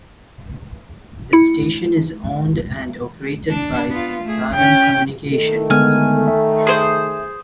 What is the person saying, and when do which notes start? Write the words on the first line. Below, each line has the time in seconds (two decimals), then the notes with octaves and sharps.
The station is owned and operated by Salem Communications.
1.33 E4 C#7
3.50 D4
3.89 B3 F4
4.24 A3 G#4
4.55 C#4 G5
5.31 D#3 A3 A4
5.70 D3 G#3 B3 G#5 F6
6.28 E5
6.67 G#4 C5